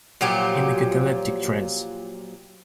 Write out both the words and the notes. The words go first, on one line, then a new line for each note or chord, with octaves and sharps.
In a cataleptic trance.
A#2 F3 F#3 G4